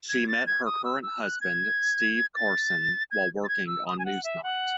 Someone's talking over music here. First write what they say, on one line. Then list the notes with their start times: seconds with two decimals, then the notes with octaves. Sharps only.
She met her current husband, Steve Carson, while working on "Newsnight".
0.09 G#6
0.28 A6
0.47 G#6
0.65 D#6
0.84 E6
1.03 E6
1.22 F#6
1.41 G#6
2.35 A6
3.11 G#6
3.44 A6
3.48 G#6
3.67 E6
3.87 D#6
3.98 G#5
4.05 F#5
4.24 E5
4.43 F#5